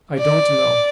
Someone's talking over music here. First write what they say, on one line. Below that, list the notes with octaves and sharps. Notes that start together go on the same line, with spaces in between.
'I don't know.
D5